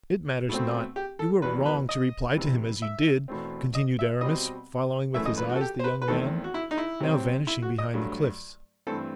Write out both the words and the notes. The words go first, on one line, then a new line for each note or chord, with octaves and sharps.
"It matters not; you were wrong to reply to him as you did," continued Aramis, following with his eyes the young man, now vanishing behind the cliffs.
B2 A3 C4
G4
A4
E2 B2 G3 B4
B4
D#5
C3 E3 G3
E5
E2 B2 A3 C4
D#5
E5
B2 G3 C4 D#5
F#2 E3 A3 E5
D#5
B4
F#4
A4
G4
C5
B4
B4
E2 D#3 A3 C4 A4
F#4
E4
D#4
E4
C3 F#3 C4
E4
F#4
D#5
G2 F#3 A3
G2 E3 A3 C4 A4